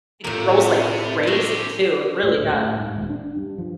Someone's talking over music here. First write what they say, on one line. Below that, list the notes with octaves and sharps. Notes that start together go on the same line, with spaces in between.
It grows like crazy too, it really does.
A2 C3 A#3 C4 E4 F4 A4
F#2 G#3 A3 G4
A2
D2
A2
G#2
D#1
D4
G2
F3